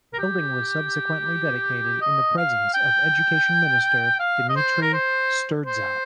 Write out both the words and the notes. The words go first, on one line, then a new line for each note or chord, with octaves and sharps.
The building was subsequently dedicated in the presence of Education Minister Dimitrie Sturdza.
A#4
G4
D#5
F5
G5
F5
D#5
C5
A#4
C5
C5